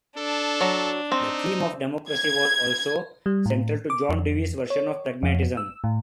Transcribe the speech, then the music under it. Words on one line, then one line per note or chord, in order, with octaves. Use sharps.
The theme of democracy was also central to John Dewey's version of pragmatism.
D4 A4
F#3
C4 D#4
G#6
G3
A2
D6
F2
C#5
F2
E6
A2